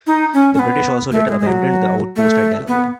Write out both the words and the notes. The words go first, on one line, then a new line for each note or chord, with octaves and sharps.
The British also later abandoned the outpost at Delaware.
D#4
C#4
C#4
B3
A3
G#3
G#3
F#3
A3
B3